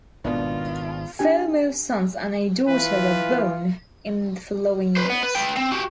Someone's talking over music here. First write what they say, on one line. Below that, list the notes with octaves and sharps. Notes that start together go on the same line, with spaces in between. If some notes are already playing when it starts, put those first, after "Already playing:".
Four more sons and a daughter were born in the following years.
G#1 B2 D#3 B3 D4 F4
D4 G4 G#5
E3 F4 B4
B4 C5
B3
B4
B4 G5
C4
F#4 G4